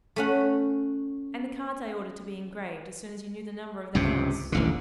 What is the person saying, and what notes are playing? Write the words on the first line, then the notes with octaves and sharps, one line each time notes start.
"And the cards I ordered to be engraved as soon as you knew the number of the house?"
A3 C#4 F#5
C#2 G2 C3
D#1 A1 D3